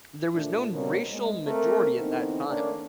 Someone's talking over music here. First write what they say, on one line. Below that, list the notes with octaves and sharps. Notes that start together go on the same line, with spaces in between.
There was no racial majority at that time.
A#2 F3 A3 D4
B2 G3 A#3 C4 A#4 C#5
G#3 B3
A3 A#3 C4 A#4
D3 E3 B3 C4 D#4
A3 A#3 C#4 D4 D5